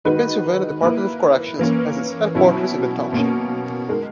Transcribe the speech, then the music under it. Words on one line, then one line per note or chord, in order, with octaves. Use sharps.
The Pennsylvania Department of Corrections has its headquarters in the township.
D#3 G#3 D#4 F#4 B4
A#3 E4 B4
E3 A#3 C#4
B2 F#3 C#4 E4
B2 A#3 C#4
G#3 D#4 A#4